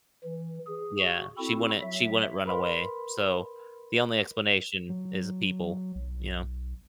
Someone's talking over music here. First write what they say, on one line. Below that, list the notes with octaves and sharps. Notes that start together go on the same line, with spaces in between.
Yeah, she wouldn't she wouldn't run away, so, the only explanation is people, you know.
E3
G#4
F#4
C4 E4 F#4 A4
F#3 E5
A#4 B4 B5 C6
F#3
B1